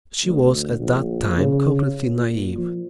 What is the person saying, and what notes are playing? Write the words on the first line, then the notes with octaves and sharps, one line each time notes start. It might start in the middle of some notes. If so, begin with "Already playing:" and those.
She was at that time completely naive.
D2
A#1
C#3
A#2
F3